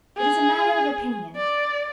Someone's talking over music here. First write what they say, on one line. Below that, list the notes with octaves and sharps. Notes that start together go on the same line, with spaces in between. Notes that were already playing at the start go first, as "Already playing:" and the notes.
It is a matter of opinion.
G#4
D5